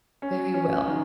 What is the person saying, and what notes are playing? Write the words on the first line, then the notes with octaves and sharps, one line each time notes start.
'Very well.
C#4
C#4
D#3